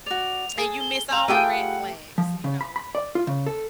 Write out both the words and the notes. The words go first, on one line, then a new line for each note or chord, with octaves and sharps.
and you miss all the red flags, you know?
F#4 D5 F7
G#4 A4
G7
F5 G5 A#5 F7
A3 F4 G4 G#4 B4 G5 D#7
F#5
F3
C#3
B5
B5
D5
F4
C#3
A4